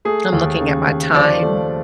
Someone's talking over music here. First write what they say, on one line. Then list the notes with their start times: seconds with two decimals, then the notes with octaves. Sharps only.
I'm looking at my time.
0.05 A3 G#4
0.32 D#2
0.60 C#3
0.87 D#2
1.14 F3 D5
1.42 A3